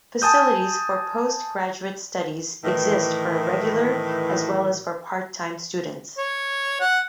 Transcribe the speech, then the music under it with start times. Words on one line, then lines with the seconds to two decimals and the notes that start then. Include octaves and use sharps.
Facilities for post-graduate studies exist for regular as well as for part-time students.
0.22 G#5 A5 D#6 G6
2.64 A2 D#3 E3
6.18 C#5
6.80 F#5